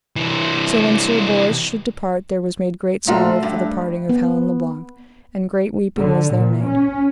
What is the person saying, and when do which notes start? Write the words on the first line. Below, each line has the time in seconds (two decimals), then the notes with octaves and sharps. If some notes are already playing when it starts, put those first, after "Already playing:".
So when Sir Bors should depart there was made great sorrow for the departing of Helin le Blank, and great weeping was there made.
0.16 C3 E3
3.07 A#2 A3 F4 F#4
3.43 G2
4.09 B3
5.97 D3
6.34 A#2
6.66 C#4